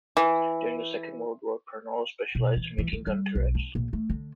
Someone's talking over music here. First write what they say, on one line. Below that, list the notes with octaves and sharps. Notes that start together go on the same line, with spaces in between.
During the Second World War, Parnall specialised in making gun turrets.
E3
B2
E3
E3
D#3
G3
B1
D4
A#1
A3
D3